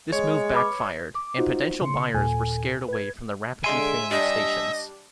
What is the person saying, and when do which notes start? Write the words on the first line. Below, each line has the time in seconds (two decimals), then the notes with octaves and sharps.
This move backfired, and potential buyers were scared away from the rapidly failing stations.
0.12 G#3 C#5
0.53 B4 B5 D6
1.15 D6
1.38 D#4 F4 F#4 C5
1.81 C#3 C6 C#7
2.14 D#2 A#2 A4 G#5
2.88 B4 G#6
3.64 D3 G#3 E5 G#5 C6 D7
4.11 G3 D4 D#5